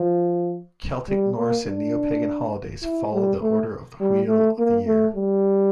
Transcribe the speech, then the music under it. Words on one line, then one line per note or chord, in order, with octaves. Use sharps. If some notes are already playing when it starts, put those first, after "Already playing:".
Celtic, Norse, and Neopagan holidays follow the order of the Wheel of the Year.
Already playing: F3
G3
A#3
D4
E4
G3
A3
G3
A3
A#3
A3
G3